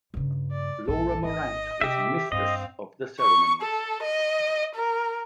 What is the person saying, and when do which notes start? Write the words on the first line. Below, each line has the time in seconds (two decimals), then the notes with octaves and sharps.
Laura Morante was mistress of the ceremonies.
0.14 G2 C#3
0.51 D5
0.88 A#1 G2 A4
1.25 G#1 D#5
1.81 C3 G4 E5
2.32 G2 G3 C4 D#5 F5
3.20 C#6
3.62 A4
4.03 D#5
4.75 A#4